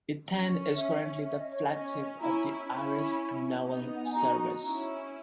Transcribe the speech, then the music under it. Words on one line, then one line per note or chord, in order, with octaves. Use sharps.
"Eithne" is currently the flagship of the Irish Naval Service.
C#4
E5
E5
D#5
C#5
D#5
C#4
C#4 E4 A#5
C#4 E4 B5
B3 D#4
F#5
G#5
D#4 F#4 A#5
C#4 E4